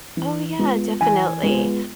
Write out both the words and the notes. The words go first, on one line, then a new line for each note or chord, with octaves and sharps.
Oh, yeah, definitely.
E3
G#3 B3 F4
E3 G#5
G#3 B3 F4